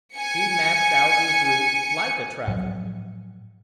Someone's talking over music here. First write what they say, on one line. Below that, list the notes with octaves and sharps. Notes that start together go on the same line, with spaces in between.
He maps out his route like a traveller.
G#5 C#7
A2 F3 F#3